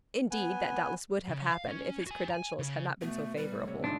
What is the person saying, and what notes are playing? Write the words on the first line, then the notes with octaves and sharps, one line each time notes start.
"Indeed, that doubtless would have happened if his credentials had not been so favorable."
B3 B4 G#5
C#3
F5
C#4
F#4 G#5
G#5 A#5
C#3
B2 A3
G3 B4
A2
C3 C#5
G#1 D3 D4 D#4 C6